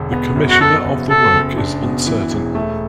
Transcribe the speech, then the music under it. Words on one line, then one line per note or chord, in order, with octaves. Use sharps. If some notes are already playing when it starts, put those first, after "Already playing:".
The commissioner of the work is uncertain.
Already playing: E1 D3
B3
F#2
F#4
B2 A4
F#1
B2 A4
F#1
D4
B2
E3
E1
A3